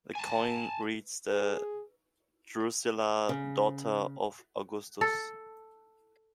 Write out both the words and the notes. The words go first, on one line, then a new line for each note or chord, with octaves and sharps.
The coin reads to Drusilla, daughter of Augustus.
G#5 A5
G#4
C#3
A4